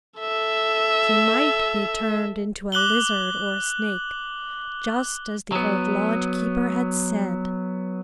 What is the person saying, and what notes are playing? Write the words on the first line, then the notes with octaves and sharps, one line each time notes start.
She might be turned into a lizard or a snake, just as the old lodge-keeper had said.
A4 E5
D6 F#6 F#7 G7
F#3 B3